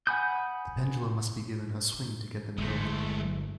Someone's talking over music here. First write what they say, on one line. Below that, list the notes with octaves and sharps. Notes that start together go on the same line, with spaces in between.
The pendulum must be given a swing to get them going.
F#5 G#5 B5 D#6 G6
G1 E2 G#3 A3